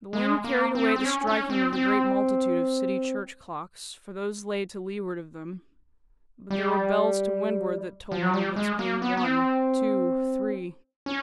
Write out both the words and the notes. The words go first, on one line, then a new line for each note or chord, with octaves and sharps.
The wind carried away the striking of the great multitude of city church clocks, for those lay to leeward of them; but there were bells to windward that told them of its being One--Two--Three.
G#3
A#3
C4
C4
C#4
C#4
C4
C4
G3
F3
F#3
G3
G#3
A#3
B3
B3
C4
C#4